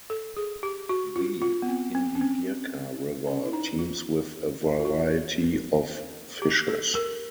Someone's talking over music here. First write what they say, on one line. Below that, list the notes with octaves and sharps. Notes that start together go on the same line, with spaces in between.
The Indigirka River teems with a variety of fishes.
A4
G#4
G4
F#4
F4
F4
B3
C4
C4
C#4
C4
C#4
E4
D#4
F4
F4
F#4
G4
A4
A#4